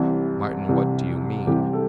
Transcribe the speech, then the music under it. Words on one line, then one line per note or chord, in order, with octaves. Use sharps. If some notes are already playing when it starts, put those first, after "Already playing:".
"Martin--what do you mean?"
Already playing: C2 C3 E3
C2 C3 E3
C2 C3 E3 G4
A4